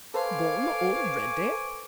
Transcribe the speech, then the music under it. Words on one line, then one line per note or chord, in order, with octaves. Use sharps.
"Gone already?"
A4 B4 C5 F5 G#5 C#6 D6